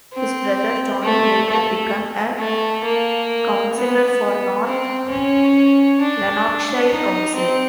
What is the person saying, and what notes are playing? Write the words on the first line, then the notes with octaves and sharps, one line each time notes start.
His brother, Tony, later become a councilor for North Lanarkshire Council.
C4
A3
A3
A3
A#3
B3
C4
C#4
D4
D#4
C4